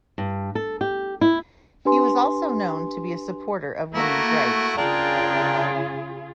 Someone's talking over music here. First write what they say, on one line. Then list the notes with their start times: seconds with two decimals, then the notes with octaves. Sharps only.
He was also known to be a supporter of women's rights.
0.18 G2
0.55 A4
0.81 G4
1.21 E4
1.85 D4 G4 B4 G#5 C6
3.95 A3 A#3 E4 F#4
4.77 C#3 D4 F4 G#4 A#4 G5